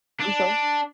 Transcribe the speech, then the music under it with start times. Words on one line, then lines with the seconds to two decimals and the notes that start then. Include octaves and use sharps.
I'm sorry?
0.20 D4